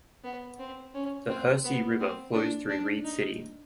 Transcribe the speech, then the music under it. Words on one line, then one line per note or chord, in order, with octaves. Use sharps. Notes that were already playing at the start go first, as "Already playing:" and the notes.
The Hersey River flows through Reed City.
B3
C4
C#4
C4
B3
C4
D4
D4
D#4